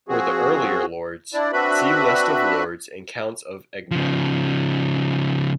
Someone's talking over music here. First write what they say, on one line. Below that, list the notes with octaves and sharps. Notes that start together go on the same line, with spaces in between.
For the earlier lords, see List of Lords and Counts of Egmont.
F3 C4 F#4 G#4
D4 E4 D5
C4 D4 F#4 B4 E5 B5
C#3 F3